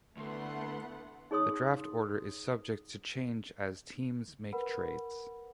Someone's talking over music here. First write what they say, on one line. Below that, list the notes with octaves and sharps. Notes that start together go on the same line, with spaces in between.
The Draft order is subject to change as teams make trades.
D2 A2 A3 B3 A4 F#5 C6
D#4 G#4 C#5 C6 D#6
A#4 B4 F#5 B5